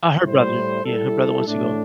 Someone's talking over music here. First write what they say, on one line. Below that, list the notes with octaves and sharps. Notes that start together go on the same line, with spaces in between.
Ah, her brother. Yeah, her brother wants to go.
A2 G3 E4 C5
G3 E4 A4
A2 A3 D4